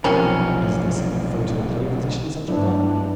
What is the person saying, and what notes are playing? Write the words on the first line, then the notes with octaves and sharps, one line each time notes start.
Is this photoplay physician such a one?
F1 B1 C3 D#3 F3 C#4
G2 F#3 A3 B3 D4 E4 B4 D5